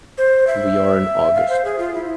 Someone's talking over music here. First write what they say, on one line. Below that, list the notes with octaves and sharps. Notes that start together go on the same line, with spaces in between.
We are in August.
C5
E5
F5
C5
G#4
F4
E4